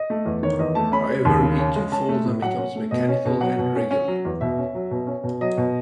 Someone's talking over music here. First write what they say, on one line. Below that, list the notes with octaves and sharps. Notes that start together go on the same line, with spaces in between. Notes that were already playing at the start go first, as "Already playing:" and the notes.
However, he too falls and becomes mechanical and regular.
Already playing: D#5
A3
E2
D#3 C#5
E2 D#5
A3 A5
C#4 B5
G#3
D#2
C#3
C#4
G#3
C#4 A5
A3
A2
F#3 F#5
C#4
A3
B2 D#5
C#4
B2
F#3 F#5
B2
C#4
C#4
F#3
E2
B2 E5
C#4
F#3
B2
C#4
B2
F#3 D#5
B2